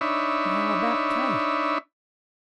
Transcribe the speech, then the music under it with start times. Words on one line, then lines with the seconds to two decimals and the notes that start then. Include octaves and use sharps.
'And how about Kate?'
0.01 D4 D#4 C#5 E5 B5